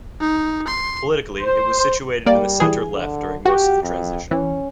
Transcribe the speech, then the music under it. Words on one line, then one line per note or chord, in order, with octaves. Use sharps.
Politically, it was situated in the centre-left during most of the transition.
D#4
C6
C5
G3 A#3 D5
E3 G#4
D3
F#4 G4
F2
E3 C#4